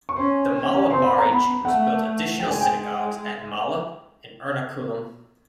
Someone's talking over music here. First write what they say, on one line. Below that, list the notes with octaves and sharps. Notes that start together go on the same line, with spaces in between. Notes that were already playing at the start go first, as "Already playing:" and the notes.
The Malabari Jews built additional synagogues at Mala and Ernakulam.
C#6
C#4 C6
C#4
C4 C6
B5
A#5
B3 B5
A3 F#5
G#3 G5
G#5
G5